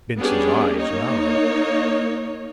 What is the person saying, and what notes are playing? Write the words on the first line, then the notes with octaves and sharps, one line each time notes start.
Bince's eyes narrowed.
G3 B3 C#4 D4 G4 G#4
A#3 D#4 C#5